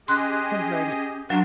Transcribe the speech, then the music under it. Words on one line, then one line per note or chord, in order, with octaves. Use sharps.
convert it?
C#4 G4 G#4 D#5 C6 F#6
F#3 D4 F4 F#4 A#4